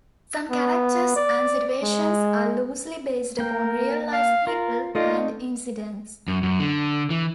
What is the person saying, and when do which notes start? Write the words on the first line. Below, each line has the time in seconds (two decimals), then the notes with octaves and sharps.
Some characters and situations are loosely based upon real-life people and incidents.
0.51 B3
1.16 D5
1.83 G#3
3.39 A#3 A#4 G5
4.13 F5
4.47 F4 A#4
4.95 A3 D#4 F4 A4 D5 D#5
6.28 F#2
6.43 F#2
6.59 D3
7.10 E3